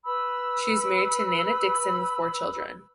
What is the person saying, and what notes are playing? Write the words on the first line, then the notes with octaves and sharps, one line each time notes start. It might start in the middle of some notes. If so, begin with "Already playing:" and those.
She is married to Nana Dickson with four children.
B4 B5 E6